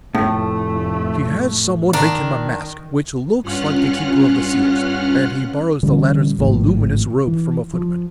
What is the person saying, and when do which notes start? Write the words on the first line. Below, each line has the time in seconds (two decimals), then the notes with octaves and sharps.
He has someone make him a mask which looks like the Keeper of the Seals, and he borrows the latter's voluminous robe from a footman.
0.15 F1 A2 A3
1.93 D#3 D4 A#4
3.42 G2 C#4 F4 F#5 F6 F#6
5.83 D3 E3 G3 C#4
6.39 G#1 A2 D#3 F3
7.27 E3
7.74 F3